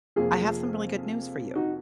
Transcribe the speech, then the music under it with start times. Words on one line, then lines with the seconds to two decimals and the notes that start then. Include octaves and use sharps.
I have some really good news for you."
0.16 F1 F2 F3 A#3 F4 G#4
1.55 D#4 F#4